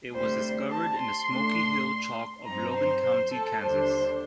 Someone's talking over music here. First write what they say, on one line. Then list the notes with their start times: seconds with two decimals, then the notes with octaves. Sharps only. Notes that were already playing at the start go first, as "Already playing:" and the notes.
It was discovered in the Smoky Hill Chalk of Logan County, Kansas.
0.12 D2 C3 G3 C5
0.70 A5
0.99 C6
1.28 A2 A3 D4
2.45 G2 F#3 C4 D#4 A#5
2.74 C5
3.02 C5
3.32 A4
3.61 D#2 D3 G3 D4 C5